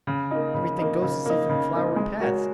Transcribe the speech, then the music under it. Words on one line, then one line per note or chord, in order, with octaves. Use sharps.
"Everything goes as if in flowery paths."
C#3
A#3 D#4
C#3
A#3 D#4
C#3
A#3 D#4
C#3
A#3 D#4
G#3
F#4 A#4 C#5